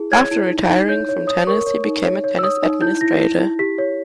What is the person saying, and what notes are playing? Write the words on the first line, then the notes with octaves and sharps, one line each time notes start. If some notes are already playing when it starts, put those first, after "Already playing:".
After retiring from tennis, he became a tennis administrator.
Already playing: E4 G#4
C#5 G#6
E4
D#4
D#4
C#5 G6
C#5
C#5 D#6
A#4 C#6
C#5
D#4
C#5
C#5
E6
C#5 D#6
D#4
E4 G6
E4 A#6
E4
E4
G4 B6
C#5